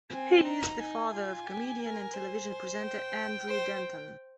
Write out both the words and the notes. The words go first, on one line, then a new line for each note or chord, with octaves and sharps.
He is the father of comedian and television presenter Andrew Denton.
C4 G#5
D#4 A#5
D#4 G#5
F4
G4
A#4
C5
G5
C5